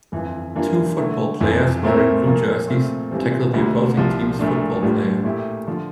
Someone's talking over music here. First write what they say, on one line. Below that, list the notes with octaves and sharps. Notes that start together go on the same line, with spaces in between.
Two football players wearing blue jerseys tackle the opposing team 's football player.
G1 F2 E3
G2 E3 A#3 D4 F4
D3 A3 E4
G1 F2 E3
A#2 A3 C4 E4 A#4
A#2 F3 A#3
A#2 A3 C4 F4
G1 G2 E3 G3 C4
E1 D2 D3 G3 D4
C2 A#2 F3
A#1 A#2 A3 D4
A1 A2 G3 D4 F4
A#2 A3 E4 G4
D3 F3